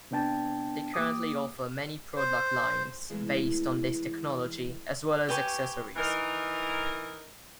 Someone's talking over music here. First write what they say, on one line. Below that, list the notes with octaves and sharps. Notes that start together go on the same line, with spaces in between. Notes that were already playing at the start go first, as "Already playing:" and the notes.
They currently offer many product lines based on this technology as well as accessories.
C3 B3 D4 G5 A5
A#3 G4 D6 D#6
C5
E2 A2 E3 G#3
G4 B4 G#5 C#6
E3 D#4 A#4